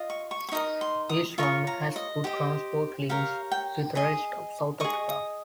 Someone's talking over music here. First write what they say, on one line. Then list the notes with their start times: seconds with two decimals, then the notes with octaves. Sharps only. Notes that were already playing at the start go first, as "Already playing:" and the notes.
East London has good transport links with the rest of South Africa.
Already playing: F4 D#5
0.10 C#6
0.31 C#6
0.49 C#6
0.52 D#4 A#4 D#5 D#6
0.81 C6
1.09 D#6
1.38 F4 A#4 C#5 C#6
1.67 A#5
1.96 D#5
2.24 G4 C5 D#5
3.09 G4 A#4 C#5 F5
3.51 G5
3.95 G#4 D#5 G#5
4.80 G#4 D#5 C#6
5.09 D#6